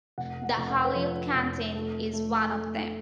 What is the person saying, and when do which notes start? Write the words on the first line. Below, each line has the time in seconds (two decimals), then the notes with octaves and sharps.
The Hollywood Canteen is one of them.
0.18 F1 F#5
0.43 F#5
0.57 F1
0.70 F#5
0.85 B4
0.96 F3 C#5
1.35 F1
1.74 A3
2.13 A3
2.52 A3